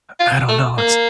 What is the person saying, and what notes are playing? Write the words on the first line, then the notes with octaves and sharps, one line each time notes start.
I don't know. It's
F4
A3
A#3